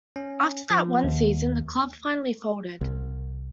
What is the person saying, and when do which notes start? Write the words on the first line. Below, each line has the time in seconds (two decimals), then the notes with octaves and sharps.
After that one season, the club finally folded.
0.16 C#4
0.70 F3
1.04 D#2
2.81 C2